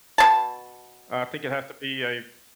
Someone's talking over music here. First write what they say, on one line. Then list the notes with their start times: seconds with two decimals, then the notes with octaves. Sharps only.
I think it has to be a
0.18 B2 D4 A5